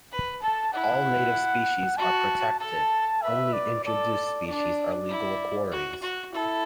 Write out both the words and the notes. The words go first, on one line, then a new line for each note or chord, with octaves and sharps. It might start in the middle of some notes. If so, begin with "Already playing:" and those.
All native species are protected, only introduced species are legal quarries.
B4
A4 A5
E4 F#5
F#4 A5
A4 A5
B4 E5
D5
A4 D5
D4 D5
E4
F#4
F#4
E4 A4